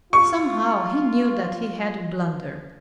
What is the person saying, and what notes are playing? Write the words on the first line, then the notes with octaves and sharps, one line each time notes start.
Somehow he knew that he had blundered.
F4 C#6